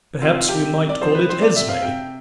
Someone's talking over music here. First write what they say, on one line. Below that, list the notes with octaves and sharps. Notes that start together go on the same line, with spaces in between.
Perhaps we might call it Esme.
C3 F4
C3 G4
C3
D5
F3 C5
B4
C3 C5
D5
C3 E5
F5
C3 G5